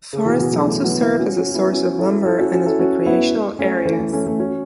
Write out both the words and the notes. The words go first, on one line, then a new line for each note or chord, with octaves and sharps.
Forests also serve as a source of lumber and as recreational areas.
C#3
B2 E3
B2 E3
C#3 F#3
E3 A3
F#3 B3
B3 E4
C#4 F#4
C#4 F#4
B3 E4
C#4 F#4
E4 A4
E4 A4
C#4 F#4
C#4 F#4
E4 A4
C#4 F#4
B3 E4
A3 C#4
E3 A3
E3 A3
A3 C#4
A3 C#4
C#4 F#4